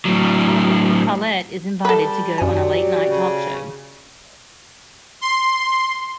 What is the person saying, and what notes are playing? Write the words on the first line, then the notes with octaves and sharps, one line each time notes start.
Coilette is invited to go on a late night talk show.
A2 F#3
G3 A4 B4
F#2 F#3 F#4 G4 D5 G#5
C#3
C6